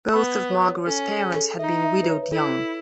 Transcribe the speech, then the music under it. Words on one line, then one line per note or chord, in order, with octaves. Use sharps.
Both of Margaret's parents had been widowed young.
B3 B5
C#5
C#4 A4
G#4
A4
D#4 E5
E5
B4
C#5
B4
E4 A4